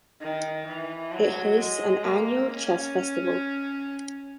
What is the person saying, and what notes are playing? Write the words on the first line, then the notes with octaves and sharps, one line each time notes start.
It hosts an annual chess festival.
D#3
E3
F#3
G#3
A#3
C#4